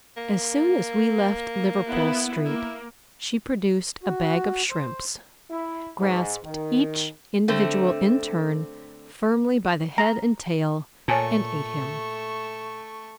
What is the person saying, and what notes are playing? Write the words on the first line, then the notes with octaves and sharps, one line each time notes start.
As soon as we left Liverpool Street she produced a bag of shrimps, grasped each individual in turn firmly by the head and tail, and ate him.
A#3
B3 E4
A#3 E4
F#4
C5
E4
G#2
D#3
D3 A3 C4
A#5
A#2 A3 C#5 G#5 A5 C#6